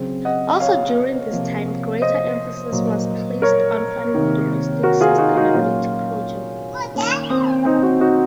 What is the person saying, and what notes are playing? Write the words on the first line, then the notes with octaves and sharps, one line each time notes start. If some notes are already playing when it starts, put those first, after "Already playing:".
Also during this time, greater emphasis was placed on funding domestic sustainability projects.
Already playing: C#3 F#3 C4
D#5 F#5
C#5 F5
C3 F3 A#3
C5 D#5
A#2 F#3 A#3
A#4 C#5
C3 D#3 A#3
F#4 A#4
F4 G#4
D#4 F#4
D#4 F#4
A#2 F#3 A#3 C#4 F4
D#3 A#3 C#4
C4
C4 D#4
D#4 F#4
D#4 F#4